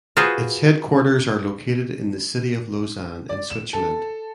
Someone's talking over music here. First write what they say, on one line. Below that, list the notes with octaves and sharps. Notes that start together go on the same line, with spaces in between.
Its headquarters are located in the city of Lausanne in Switzerland.
F4 F#4 G#4 B4 C5
D5
E7
A4